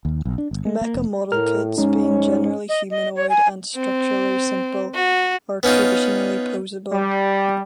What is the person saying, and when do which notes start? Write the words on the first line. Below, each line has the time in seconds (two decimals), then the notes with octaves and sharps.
Mecha model kits, being generally humanoid and structurally simple, are traditionally posable.
0.05 D#2
0.25 B1
0.38 D4
0.51 G1
0.65 G#3
0.81 A#3
0.95 F1
1.32 A2 A#4 F6
1.78 G#2 G#3 C#4 D#4
2.69 D#5
2.91 D#5
3.16 C#5
3.30 G#5
3.75 C4
4.94 F#4
5.63 B3 C#4 D#4 F4
6.92 G3